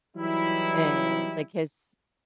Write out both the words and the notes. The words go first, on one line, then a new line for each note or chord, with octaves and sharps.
And, like, his
E3 F#3 G3 D#4 E4